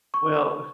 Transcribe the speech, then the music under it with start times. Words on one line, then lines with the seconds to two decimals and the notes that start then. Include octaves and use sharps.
Well, uh,
0.14 C#6